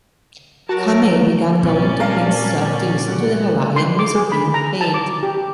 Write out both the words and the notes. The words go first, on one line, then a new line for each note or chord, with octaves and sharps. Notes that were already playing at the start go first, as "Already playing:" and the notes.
Kamae began going to Queen's Surf to listen to the Hawaiian music being played.
F#3 F#4 A#4 A5
A#2 C4 C#4 D5
A#4 F5 A5
G3 F#5
D5
C6
D6
G#4
B5
A#5
A5
D6
G4